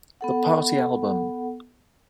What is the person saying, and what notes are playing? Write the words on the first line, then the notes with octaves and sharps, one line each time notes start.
The Party Album!
B3 A4 F#5